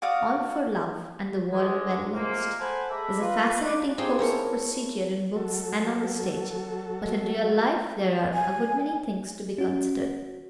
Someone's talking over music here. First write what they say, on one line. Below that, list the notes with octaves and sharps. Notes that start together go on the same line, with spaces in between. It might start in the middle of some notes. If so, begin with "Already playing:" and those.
"All for love, and the world well lost," is a fascinating course of procedure in books and on the stage, but in real life there are a good many things to be considered.
F#4 D5 F5 D#6
D2 G#2 D3 G#3
F2 C3 G#3 A#3
A4 C5 F#5 G#5 A5 B5
G#3 A4 E5 A#5 B5 D6
F4 B4
D4
C4 D#4 F4 G4 G#4 C5
E4 A#4 C#5 A5
F#3 A4
G#5
C#4 F#4